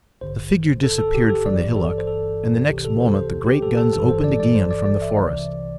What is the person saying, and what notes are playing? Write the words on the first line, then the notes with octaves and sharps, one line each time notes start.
The figure disappeared from the hillock and the next moment the great guns opened again from the forest.
A1 G2 D3 C5
A4
A4
G4
A4
G1 G2 E3 D5
A4
C5
A4
C2 C3 E3 G4
A4
C5
C5
G4
A4
A4
G1 G2 E3 A4
C5
D5
D5
C5
D5
D5
E5
C2 C3 E3 D5